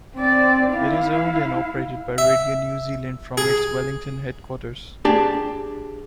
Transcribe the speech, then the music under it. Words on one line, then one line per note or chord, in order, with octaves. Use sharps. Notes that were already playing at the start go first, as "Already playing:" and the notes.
It is owned and operated by Radio New Zealand from its Wellington headquarters.
C4 D5
E4 F5
E5
G#4
D4 G4 G#4 A5